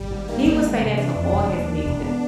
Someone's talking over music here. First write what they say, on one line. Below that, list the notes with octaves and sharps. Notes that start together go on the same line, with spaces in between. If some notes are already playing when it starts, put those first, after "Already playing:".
He would say that to all his nieces.
Already playing: G#1 G3
G#2
D#3 A#3
G#1
G#3
C3
E3 D4
F2
E1
D#2
D#3
E1
B3